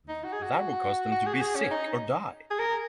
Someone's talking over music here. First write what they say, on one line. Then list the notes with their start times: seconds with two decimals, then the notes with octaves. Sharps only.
That would cause them to be sick or die.
0.09 D#4
0.23 F#4
0.33 G#4
0.43 F#4
1.12 F#4
1.26 G#4
1.34 F#4
1.41 G#4
1.55 C#4
1.71 D#4
2.51 G#4
2.59 A#4